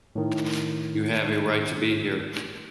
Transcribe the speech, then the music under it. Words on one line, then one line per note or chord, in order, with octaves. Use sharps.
You have a right to be here.
A2 D#3